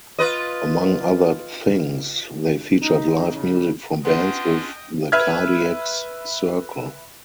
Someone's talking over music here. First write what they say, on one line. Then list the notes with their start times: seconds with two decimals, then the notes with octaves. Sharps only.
Among other things, they featured live music from bands within the Cardiacs circle.
0.19 F4 B4 D#5
2.83 D#4
3.34 C#3
4.05 B3 C#4 D4 F4 D#5 G5 C6
5.12 B4 E5 F6 G#6